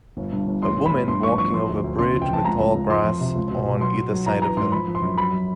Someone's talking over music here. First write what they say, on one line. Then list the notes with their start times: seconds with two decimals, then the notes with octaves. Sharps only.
A woman walking over a bridge with tall grass on either side of her.
0.17 G1
0.32 G2
0.47 G1
0.63 A1 C6
0.78 A1
0.85 B5
0.93 A1
1.08 G2 C6
1.23 A1 C#6
1.38 F3 C#6
1.54 F3 C6
1.69 D2
1.84 D2
1.99 C#3 C6
2.14 F2
2.22 G5
2.29 F2 A5
2.44 C#2 A#5
2.60 C#2
2.75 C#2
2.90 F2 C6
3.05 F3
3.20 C3
3.35 C#2
3.51 B2
3.66 B2
3.81 F#3 C6
3.96 F#3
4.11 F#3
4.26 E3 A#5
4.42 E3 A#5
4.57 G#2 C6
4.72 F3 B5
4.87 F3
4.95 C6
5.02 F#2
5.18 F#3 B5
5.33 F#3